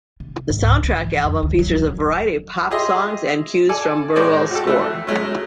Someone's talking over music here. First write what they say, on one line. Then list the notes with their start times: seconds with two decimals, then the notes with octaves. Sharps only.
The soundtrack album features a variety of pop songs and cues from Burwell's score.
0.20 C3
0.50 G#2
0.63 C#2
0.83 D2
0.97 E3
1.25 F2
1.43 D2
1.59 F#3
1.76 D#1
2.71 G4 G#4 D#5 E5 C6
3.69 A4 D5 G#5
4.16 A2 G#3 C5 D5 C#6
4.51 F#4 G4 A4
4.67 A3 E4 E5 F#6
5.07 F#3 G#3 A3 C#4